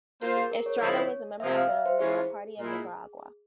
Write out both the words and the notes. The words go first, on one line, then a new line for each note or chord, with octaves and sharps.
Estrada was a member of the Liberal Party of Nicaragua.
A#3 F4 A#4 C5
G#4
A#4
C#5
C#3 F3 G#3 E4
C3 F3 G#3 E5
F5
E5
C5
E3 G#3 C#4 F4 G#4
A#2 G#3 E4